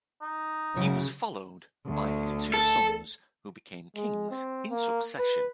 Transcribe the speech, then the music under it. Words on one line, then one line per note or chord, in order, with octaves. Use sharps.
He was followed by his two sons who became kings in succession.
D#4
F#2 C#3 F#3 E4
D2
A4
G#3
C4
A#3
B4